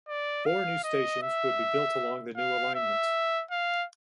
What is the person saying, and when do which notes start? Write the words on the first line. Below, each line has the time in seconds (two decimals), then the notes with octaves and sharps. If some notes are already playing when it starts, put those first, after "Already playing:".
Four new stations would be built along the new alignment.
0.09 D5
0.46 F5
0.84 D#5
1.23 E5
2.37 F5
2.75 E5
3.51 F5